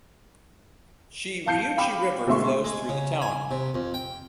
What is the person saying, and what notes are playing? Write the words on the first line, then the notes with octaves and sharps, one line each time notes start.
Shiriuchi River flows through the town.
F5 A5 G6 C7 C#7
F5 G5 B5 D6
D2 B2 G#3 E5 C6 C#6
G#3
C#3
G#5
C3
F2
G5